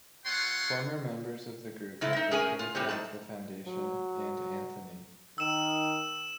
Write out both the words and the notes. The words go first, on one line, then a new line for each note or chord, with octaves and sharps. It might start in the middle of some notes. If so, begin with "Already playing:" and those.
Former members of the group have been critical of the Foundation and Anthony.
A3 F4 C#5 F#5 C6
F#2 C#3 A3 E4
D#4 E5
C#4 G#4 A#4 G#5
F4
A2 G3 C4
G#2 A5
F#3
D#3 E6 E7